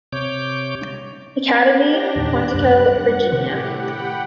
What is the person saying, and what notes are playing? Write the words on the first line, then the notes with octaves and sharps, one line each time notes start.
Academy, Quantico, Virginia.
C3 C#5 D6 G6
D4 G4 A#6
E2 A#2 D#3 F#6
F#2 C3
G2 F#5
A2 C3 D#3 C4 G4
F#5 G5 B5